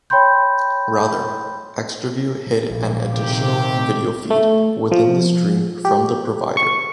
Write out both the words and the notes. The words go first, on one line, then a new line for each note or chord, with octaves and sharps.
Rather, Xtraview hid an additional video feed within the stream from the provider.
C#5 G5 B5 C6 G6
A#1 A#3
C3 D#3 G4
A3
F3
G4
C#6